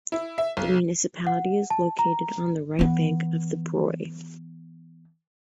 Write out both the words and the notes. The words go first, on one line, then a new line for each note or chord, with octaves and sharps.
The municipality is located on the right bank of the Broye.
E4
E5
B1
F#5
A5
A#5
E3 B3